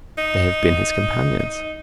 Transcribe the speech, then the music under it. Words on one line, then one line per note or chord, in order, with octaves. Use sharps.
They have been his companions.
D#4
D#4